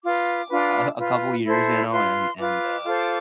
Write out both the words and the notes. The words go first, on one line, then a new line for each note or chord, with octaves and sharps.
a a a couple of years, you know, and and, uh,
F4 B4 D6
D4 F4 B4
F4 B4
E4 A4 C5
F4 B4 C6
F4 B4 D6
F4 A4 C5